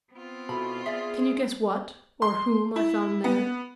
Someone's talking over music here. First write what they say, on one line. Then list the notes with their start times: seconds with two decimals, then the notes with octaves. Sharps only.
Can you guess what, or whom, I found there?
0.12 B3 C4 F4
0.49 B2 E4 A4 B5
0.86 G#4 D5 E5
2.22 C6
2.76 E4
3.24 B3